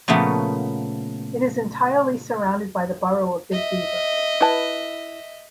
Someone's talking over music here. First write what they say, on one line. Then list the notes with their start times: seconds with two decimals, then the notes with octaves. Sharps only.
It is entirely surrounded by the borough of Big Beaver.
0.08 A#2 C#3 F3 A3 B3
3.52 D#5 E5
4.41 E4 B4 A5